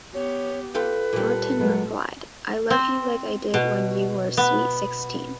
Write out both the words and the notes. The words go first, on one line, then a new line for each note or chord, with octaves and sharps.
Thornton replied, I love you like I did when you were sweet sixteen.
B3 G4 C#5
F4 A4 B4 G5
A#2 G3 A4
F#3 G#3 B3
C4
B2
B3